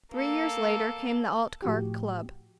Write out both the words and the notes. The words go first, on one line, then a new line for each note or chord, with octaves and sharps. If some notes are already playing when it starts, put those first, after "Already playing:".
Three years later came the Altcar Club.
A#3 A4
A2 F3 F#4 G4